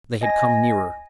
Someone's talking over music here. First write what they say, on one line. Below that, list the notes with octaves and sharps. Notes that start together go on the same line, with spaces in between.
They had come nearer.
D#5 G#5 A#6